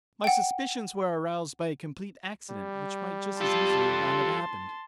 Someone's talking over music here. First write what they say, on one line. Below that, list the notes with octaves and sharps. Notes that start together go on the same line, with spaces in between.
My suspicions were aroused by a complete accident, which might just as easily not have happened.
F#5 G5
G3
F4 G4 A4 A5 C6